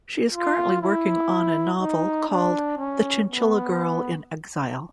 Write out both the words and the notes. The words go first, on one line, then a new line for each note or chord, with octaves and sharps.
She is currently working on a novel called "The Chinchilla Girl in Exile".
F4
E4
D#4
D4
C#4
B3